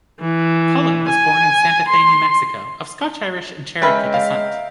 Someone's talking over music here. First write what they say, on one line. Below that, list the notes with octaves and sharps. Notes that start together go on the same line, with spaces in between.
Cullin was born in Santa Fe, New Mexico, of Scotch-Irish and Cherokee descent.
E3
G#5
C6
G#3 C#4 A#4 B4 E5 G5
F5